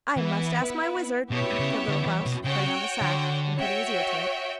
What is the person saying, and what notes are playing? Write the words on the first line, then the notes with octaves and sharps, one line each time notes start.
'I must ask my wizard,' said Little Klaus, treading on the sack and putting his ear to it.
E3 B3 E4 B4
B2 B3 E4 G4 C#5 E5
C#3
D3
E3
B2
C#3 F#4 C#5 G5
D3
F#4 C#5 E5 G5